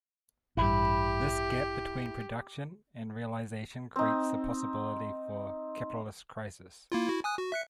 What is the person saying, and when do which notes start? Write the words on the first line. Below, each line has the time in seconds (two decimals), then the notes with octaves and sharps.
This gap between production and realization creates the possibility for capitalist crisis.
0.57 A1 G2 E4 G4
3.96 C4 D#4
6.92 A#3 E4 F4
7.08 E4 F#4
7.24 G#5 D#6 F#6
7.38 F#4
7.52 E5 F#6 C#7